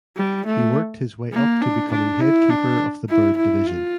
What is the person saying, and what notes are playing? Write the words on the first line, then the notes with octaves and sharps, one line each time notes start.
He worked his way up to becoming head keeper of the Bird Division.
G3
A3
A#3
D4
D4
E4
D4
E4
E4
F4